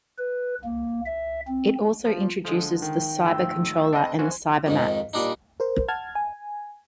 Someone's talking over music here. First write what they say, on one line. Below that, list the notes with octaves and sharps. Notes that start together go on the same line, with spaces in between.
It also introduces the Cyber Controller and the Cybermats.
B4
A#3
E5
C4
F3 F4
D3 F3 G#3 D4 A4
D#3 G5
G#2 A3 F4 E6
G3 C4 D4 A4 D#5 A5
E3 F4 F#4 C5 G#5
F2 G#2 D#3
A#2 G3 D4 D#4
A#4 C5
F#5 A5 F6 G#6
G#5